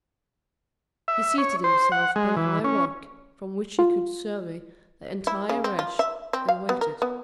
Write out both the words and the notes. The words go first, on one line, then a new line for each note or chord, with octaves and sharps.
He seated himself upon a high rock, from which he could survey the entire Reche, and waited.
E5
C#5
C5
F#5
G#3
E3
C#4
F4
E4
C#3
C4
F4
E5
C4
F5
B3
A#4
B3